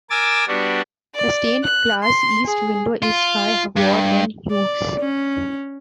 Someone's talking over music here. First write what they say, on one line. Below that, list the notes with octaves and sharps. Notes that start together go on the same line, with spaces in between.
The stained glass east window is by Ward and Hughes.
A#4 G#5 D6 E6 A6
G3 B3 D4 F#4
D5
F#6
C6
G#4
F4
G2
D5
C#4